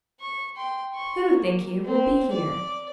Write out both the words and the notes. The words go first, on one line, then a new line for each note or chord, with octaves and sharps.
Who, think you, will be here?'
C#6
G5 C6
C6 C#6
A#3
C4
D5